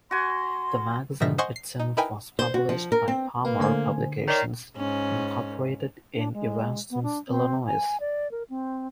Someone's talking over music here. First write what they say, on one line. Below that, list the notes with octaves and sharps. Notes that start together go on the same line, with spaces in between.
The magazine itself was published by Palmer Publications, Incorporated in Evanston, Illinois.
F#4 G#5 C6
G#2 B2 D#3 F3 E5 A#6
C5 D#5 F#5 G#5 C6 C#6
C7
D#4
D#4 E4 A#4 B4 G5 G#5
C5
F#4
F3
A#4
C4
A#3 B4
D3 A3 C5 G#5
D#3 A#4 C#5 D5 C7
G#2 C#4
D4
G#3
B3
D4
C4
G#5
D5
A#4
C4